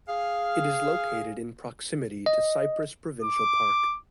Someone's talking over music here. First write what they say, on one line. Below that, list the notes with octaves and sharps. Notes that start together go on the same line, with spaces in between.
It is located in proximity to Cypress Provincial Park.
G#4 F5
D#5
D6